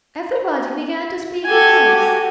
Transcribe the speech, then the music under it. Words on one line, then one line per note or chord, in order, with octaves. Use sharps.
Everybody began to speak at once.
F#4 G4 A4 G#5